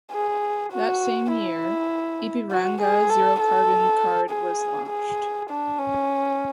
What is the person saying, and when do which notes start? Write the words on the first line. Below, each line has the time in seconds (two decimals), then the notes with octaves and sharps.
That same year, Ipiranga Zero Carbon Card was launched.
0.13 G#4
0.73 F#4
1.32 E4
2.52 F#4
2.81 G#4
3.10 A4
3.40 A4
4.31 G#4
4.89 G#4
5.50 D4
5.79 C#4